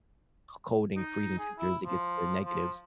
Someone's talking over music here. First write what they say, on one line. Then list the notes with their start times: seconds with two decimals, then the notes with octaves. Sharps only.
cold and freezing temperatures. It gets to the negatives,
0.96 D#4
1.38 G#4
1.58 E4
1.84 F3
2.45 F3